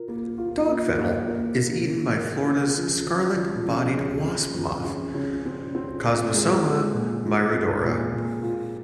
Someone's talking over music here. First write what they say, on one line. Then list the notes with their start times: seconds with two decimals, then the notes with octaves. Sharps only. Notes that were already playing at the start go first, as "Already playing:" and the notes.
Dogfennel is eaten by Florida's scarlet-bodied wasp moth, "Cosmosoma myrodora".
Already playing: F4 A#4
0.08 A#3
0.38 F4
0.68 A#3
0.97 A#3
1.28 A#3
1.57 A#3
1.86 A#3
2.17 A#4
2.47 C#3
2.77 F3
3.06 F3
3.36 F3
3.66 C#3
3.96 C#3
4.26 C4
4.55 F3
4.84 C#3
5.14 C#3
5.45 C4
5.75 C4
6.05 F4
6.34 G#3
6.64 G#3
6.94 A#2
7.24 F4
7.54 C4
7.84 A#2
8.14 A#2
8.43 F4